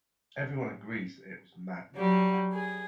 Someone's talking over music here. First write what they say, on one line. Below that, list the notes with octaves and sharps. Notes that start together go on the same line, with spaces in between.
Everyone agrees that it was madness.
F#3 G3
G#4